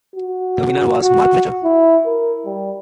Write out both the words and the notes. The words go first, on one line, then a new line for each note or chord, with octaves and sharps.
The winner was Mark Fletcher.
F#4
F#4
E4
A#4
G3